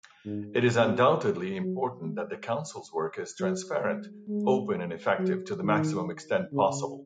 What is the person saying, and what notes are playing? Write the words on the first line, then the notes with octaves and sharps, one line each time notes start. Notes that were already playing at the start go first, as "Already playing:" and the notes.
It is undoubtedly important that the Council’s work is transparent, open and effective to the maximum extent possible.
G#2
B2
F#3
G#3
F#3
G#3
G#3
F#3
D#3
C#3